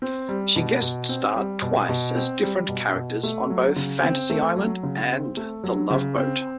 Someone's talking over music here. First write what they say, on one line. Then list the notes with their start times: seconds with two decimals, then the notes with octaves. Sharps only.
She guest-starred twice as different characters on both "Fantasy Island" and "The Love Boat".
0.02 C4
0.29 G3
0.56 B2
0.82 B2
1.09 C4
1.36 G3
1.62 B2
1.89 B2
2.16 C4
2.43 G3
2.69 B2
2.95 B2
3.23 A3
3.50 F#3
3.76 C#3
4.04 C4
4.30 A3
4.56 F#3
4.83 C#3
5.11 C4
5.37 A3
5.64 F#3
5.90 C#3
6.18 C4